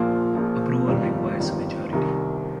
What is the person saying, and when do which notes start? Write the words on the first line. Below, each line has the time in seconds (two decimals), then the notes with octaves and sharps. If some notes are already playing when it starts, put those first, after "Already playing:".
Approval requires majority.
Already playing: A#1 A#2 F3 A#3 F4
0.35 A#1 A#2 F3 A#3 F4
0.87 G1 F2 D#3 G3
1.40 G1 F2 D#3 G3
1.93 C2 C3 D#3